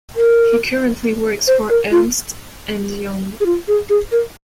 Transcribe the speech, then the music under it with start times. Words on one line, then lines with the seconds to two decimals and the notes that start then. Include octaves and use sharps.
He currently works for Ernst and Young.
0.17 A#4
1.47 C5
1.70 A#4
1.91 F4
3.40 G#4
3.46 F4
3.68 G#4
3.90 G#4
4.12 A#4